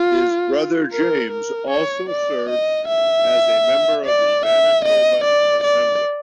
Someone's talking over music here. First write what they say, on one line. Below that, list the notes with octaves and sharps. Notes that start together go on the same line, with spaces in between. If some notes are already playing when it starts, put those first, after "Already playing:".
His brother James also served as a member of the Manitoba assembly.
Already playing: F4
A#4
A#4
C#5
D5
D#5
E5
D5
E5
D#5
D5
D5